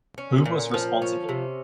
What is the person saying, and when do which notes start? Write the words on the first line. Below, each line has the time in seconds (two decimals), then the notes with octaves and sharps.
Who was responsible?
0.18 C#4
0.45 A#2
0.74 F3
1.02 C#4
1.29 C3